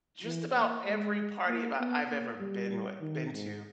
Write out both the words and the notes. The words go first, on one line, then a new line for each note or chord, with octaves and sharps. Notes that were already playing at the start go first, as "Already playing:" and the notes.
just about every party that I've ever been with been to
E3
A#3
G#3
A#3
B3
A#3
G3
D#3
G#2